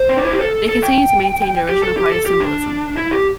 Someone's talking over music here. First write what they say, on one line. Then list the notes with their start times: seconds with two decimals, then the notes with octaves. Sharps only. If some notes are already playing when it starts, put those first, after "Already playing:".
They continue to maintain the original party symbolism.
Already playing: C5
0.09 C4
0.17 D4
0.25 E4
0.32 G4
0.41 A4
0.69 A4
0.83 G5
1.69 G4
1.83 A4
1.97 G4
2.12 A4
2.26 G4
2.40 D4
2.97 E4
3.11 G4